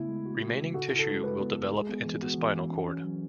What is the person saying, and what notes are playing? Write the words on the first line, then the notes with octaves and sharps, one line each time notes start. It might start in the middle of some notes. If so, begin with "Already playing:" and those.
Remaining tissue will develop into the spinal cord.
Already playing: C#3 A3 B3 E4
G#3
F#4
F#4
C#3
F#4 A4
E4
A4
G#3
G#3 B4
B3
A4
G#3 G#4
B3
E3
B3 F#4
E3
E3
C#4
C#4
F#3